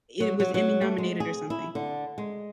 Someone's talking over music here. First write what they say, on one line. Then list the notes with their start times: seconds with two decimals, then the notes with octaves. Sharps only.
It was Emmy nominated or something,
0.20 F#3
0.40 F#3
0.54 F#3
0.81 A3
0.98 G#3
1.20 G#4
1.50 E4
1.75 D3
2.18 G#3